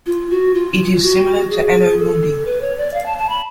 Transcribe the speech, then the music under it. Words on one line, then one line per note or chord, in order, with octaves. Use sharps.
It is similar to "Anno Mundi".
F4
F#4
F4
F#4
G#4
A4
B4
C#5
D5
F5
A5
A5
B5